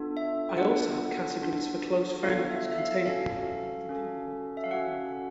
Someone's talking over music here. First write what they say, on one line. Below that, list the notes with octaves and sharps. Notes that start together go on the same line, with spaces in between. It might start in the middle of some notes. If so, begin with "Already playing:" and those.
I also have categories for close friends containing stuff I want to do with them or tell them about.
Already playing: B3 D4 F4 A4
E5
G5
B3 D4 F4 A4 F#5
B3 D4 F4 A4
B3 D4 F4 A4 F5
E5
E5
F5
C#4 F#4 A4 F5
C#4 F#4 A4
E5
F5
C#4 F#4 A4 F#5